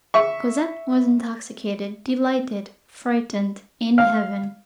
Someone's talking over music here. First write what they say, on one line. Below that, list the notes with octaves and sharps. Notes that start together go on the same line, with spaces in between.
Cosette was intoxicated, delighted, frightened, in heaven.
E5 C#6
F5